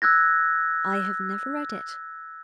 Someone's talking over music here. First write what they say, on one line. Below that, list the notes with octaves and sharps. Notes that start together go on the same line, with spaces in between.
"I have never read it."
E6 F#6 G#6 A#6